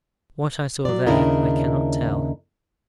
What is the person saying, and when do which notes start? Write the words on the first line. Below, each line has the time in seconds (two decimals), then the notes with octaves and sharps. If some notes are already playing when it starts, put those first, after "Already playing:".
What I saw there, I cannot tell.
0.85 F#3 D5
1.06 D#2 C#3 D4 E4 A#4 D#5